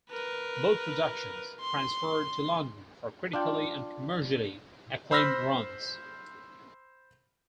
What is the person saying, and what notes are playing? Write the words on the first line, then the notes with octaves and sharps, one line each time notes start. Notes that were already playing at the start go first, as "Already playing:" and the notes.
Both productions transferred to London for critically and commercially acclaimed runs.
A#4 B4
C6
D4 F4 G5
C5 B5 E6 F6 A#6 B6